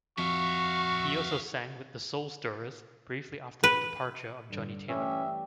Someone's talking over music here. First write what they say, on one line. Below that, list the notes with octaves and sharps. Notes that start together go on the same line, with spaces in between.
He also sang with The Soul Stirrers briefly after the departure of Johnnie Taylor.
F2 F#4 E5 F5 C#6
B4
G2 D3
E3 G3 A3 C#4 E5